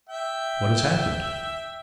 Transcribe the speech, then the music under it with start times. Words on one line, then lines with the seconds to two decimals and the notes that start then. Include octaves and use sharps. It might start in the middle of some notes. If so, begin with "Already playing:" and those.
"What has happened?"
0.09 E5 G5